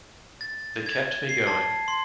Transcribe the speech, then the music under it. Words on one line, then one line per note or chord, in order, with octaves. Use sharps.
They kept me going.
A6
G#6
C7
A5
C6